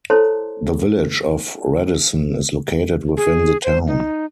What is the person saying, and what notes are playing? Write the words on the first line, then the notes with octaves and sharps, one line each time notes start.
The Village of Radisson is located within the town.
E4 A4 C5 C#5 A5 C6
G#4
C5
D#4